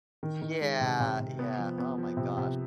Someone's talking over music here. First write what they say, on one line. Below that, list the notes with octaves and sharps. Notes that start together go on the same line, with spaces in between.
Yeah, yeah, oh my gosh.
D#3
D#3
G#3
C3
C3
C3
B3
F3
B3
F3
C3
C3